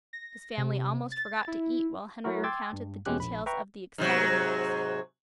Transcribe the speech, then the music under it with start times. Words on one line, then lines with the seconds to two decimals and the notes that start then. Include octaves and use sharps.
His family almost forgot to eat while Henry recounted the details of the exciting race.
0.13 A#6
0.58 C3
1.12 A6
1.48 E4
2.24 F#3 A3 E4 F#4 A#4
2.44 G5 C6 D6 E6 G#6 A6
2.73 G2
3.06 E2 B2 G#3 C#4 G4 F#6
3.19 A#1 B5
3.46 B4 E5 G5 A#5 C#6
3.98 G#2 C3 F#3